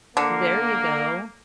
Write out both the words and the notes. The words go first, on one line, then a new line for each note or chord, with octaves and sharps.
There you go.
D3 A#3